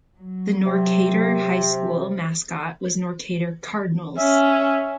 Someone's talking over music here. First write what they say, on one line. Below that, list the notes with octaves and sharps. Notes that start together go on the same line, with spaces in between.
The Norcatur High School mascot was Norcatur Cardinals.
F#3
C3
C#4 E5